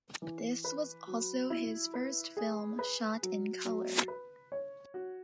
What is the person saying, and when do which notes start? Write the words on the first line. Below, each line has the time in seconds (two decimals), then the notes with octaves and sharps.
This was also his first film shot in color.
0.22 E3
0.64 B4
1.07 F#3
1.50 E4
1.94 B4
2.37 G#4
2.79 B4
3.23 F#3
3.65 F#3
4.08 B4
4.52 C#5
4.94 F#4